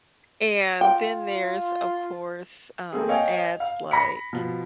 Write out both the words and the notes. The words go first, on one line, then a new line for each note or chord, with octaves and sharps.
And then there's, of course, um, ads like,
F4 G5
A3 A#3 C4 G#4
C#5 D#5 F5 G5 G#5
F5
B5 A#6 B6 C#7
B2 F3